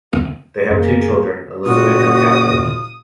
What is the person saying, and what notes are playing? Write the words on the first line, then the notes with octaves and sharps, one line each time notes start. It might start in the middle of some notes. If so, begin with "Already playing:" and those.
They have two children, Elizabeth and Catherine.
F#2 A#3 G#4
F#1 A#2 F#4 D#6